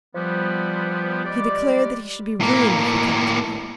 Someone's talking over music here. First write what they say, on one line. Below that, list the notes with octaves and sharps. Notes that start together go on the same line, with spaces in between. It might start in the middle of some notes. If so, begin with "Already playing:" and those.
He declared that he should be ruined if we kept him here.
F3 G3 B3
G3 G#3 G4 D5
A2 A#3